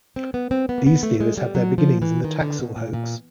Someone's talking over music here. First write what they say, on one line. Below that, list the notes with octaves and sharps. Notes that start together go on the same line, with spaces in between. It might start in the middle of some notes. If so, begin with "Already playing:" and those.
These theories have their beginnings in the Taxil hoax.
C4
B3
C4
B3
A#3
B3
A3
G#3
G3
F#3
F3
E3
D#3
D3
B2
A#2
A#2